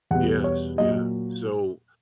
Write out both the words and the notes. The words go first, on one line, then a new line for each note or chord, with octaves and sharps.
Yes, yeah, so,
E2 B2 G3 B3 F#5
C#5
A#2 F#3 A#3 D#5